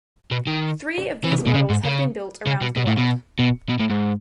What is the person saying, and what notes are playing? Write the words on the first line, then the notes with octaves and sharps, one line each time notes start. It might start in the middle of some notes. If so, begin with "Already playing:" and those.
Three of these models have been built around the world.
B2
D#3
E3
B2
C#3
G#2
C#3
C#3
B2
B2
A2
B2
B2
B2
A2
G#2